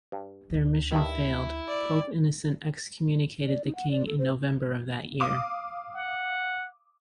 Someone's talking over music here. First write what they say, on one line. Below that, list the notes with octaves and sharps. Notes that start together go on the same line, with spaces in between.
Their mission failed; Pope Innocent excommunicated the King in November of that year.
G2
D2 D4
G2 D#3 E4
D5
D5
D#4
F#5
D5
A4
C5
F5 D6 D#6
F#5